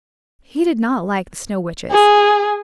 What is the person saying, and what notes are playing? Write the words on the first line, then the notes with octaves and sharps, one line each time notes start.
He did not like the Snow Witches.
G#4